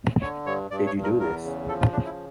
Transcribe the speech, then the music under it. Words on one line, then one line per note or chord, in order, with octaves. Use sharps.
Did you do this?
D3 C#5
G2 C#5
G2 D5
C#5
G2
A#4
E2 A#4
C#3
F3 A4
F4
C#3 D4
E4